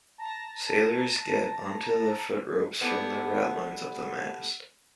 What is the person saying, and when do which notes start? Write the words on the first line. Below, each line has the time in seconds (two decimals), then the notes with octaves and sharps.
Sailors get onto the footropes from the ratlines up the mast.
0.18 A5 A#5 A#6
2.81 G3 A3 B3 E4